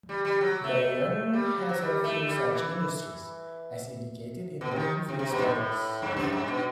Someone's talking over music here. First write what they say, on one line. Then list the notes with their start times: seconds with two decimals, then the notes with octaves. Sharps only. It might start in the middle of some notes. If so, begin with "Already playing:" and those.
Bayonne has few such industries, as indicated in the previous tables.
0.09 G3
0.25 G3
0.41 F#3
0.64 A3
1.33 G3
1.58 F#3
1.69 F#3
1.81 G3
2.04 A3
2.27 G3
2.51 E3
4.61 B2
4.71 C3
4.76 D#3
5.09 C3
5.19 C3
5.31 B2
5.38 G2
5.43 A2
5.55 A2
6.02 G2
6.17 F#2
6.33 G2
6.48 B2